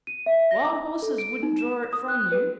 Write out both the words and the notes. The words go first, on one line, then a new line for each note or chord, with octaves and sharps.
Wild horses wouldn't draw it from you?
D#7
E5
A#6
D6
A4
D7
D#4
E7
D#6
F#6
B4